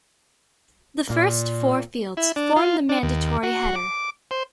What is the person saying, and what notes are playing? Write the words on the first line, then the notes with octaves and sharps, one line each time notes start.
The first four fields form the mandatory header.
A#2
E4
D4
F4
D4
D#2
F#4
D6
C5